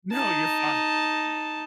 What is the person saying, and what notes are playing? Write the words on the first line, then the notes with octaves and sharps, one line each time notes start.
No, you're fine.
D#4 A5